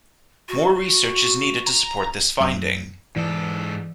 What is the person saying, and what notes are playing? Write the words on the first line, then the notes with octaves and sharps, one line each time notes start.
More research is needed to support this finding.
F#4
A#5
F#2
G#2 E3 A4 D5